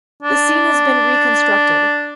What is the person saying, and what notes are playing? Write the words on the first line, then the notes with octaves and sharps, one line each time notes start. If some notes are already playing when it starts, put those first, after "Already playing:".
The scene has been reconstructed.
D4